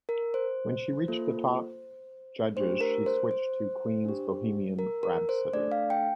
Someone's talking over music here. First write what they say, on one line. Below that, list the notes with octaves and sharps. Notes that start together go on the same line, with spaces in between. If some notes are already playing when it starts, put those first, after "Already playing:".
When she reached the top judges she switched to Queen's "Bohemian Rhapsody".
A#4
C5
A#3 F4 A4
A3 D4 G4 C5
A#4
C5
C5
D4 G4
A#4
A#4
C5
A3 D4 A4 D5
F5
G5